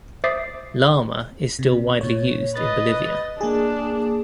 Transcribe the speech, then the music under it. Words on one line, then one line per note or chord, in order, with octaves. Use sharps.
Llama is still widely used in Bolivia.
C5 E5 D6 D#6 A6 C7
C3
A#2 C#5
B4 D#5 A6
A#3 D4 G#4